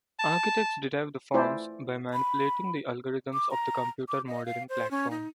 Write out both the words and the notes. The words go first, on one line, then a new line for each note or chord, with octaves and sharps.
Architects derive the forms by manipulating the algorithms of the computer modeling platform.
A5
A3 E4 F4 C5 D5 G#5
B5
D6
A#5
D6
D#5
F5
C5
C#4
D#4